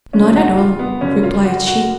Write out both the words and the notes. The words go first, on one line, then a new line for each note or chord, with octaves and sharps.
"Not at all," replied she.
F#1 F2 F3 G#3 C#4 D4
F4
F#4
F4
B3
F#1 F#2 D3 F#3 C#4
F4
F#4
F#4